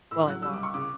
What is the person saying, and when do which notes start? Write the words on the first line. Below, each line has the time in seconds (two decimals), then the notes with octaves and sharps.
while I walk.
0.11 A2 E6
0.27 F#3 F#6
0.42 G3 E6
0.53 D6
0.58 C#2
0.63 C#6
0.74 C#3 D6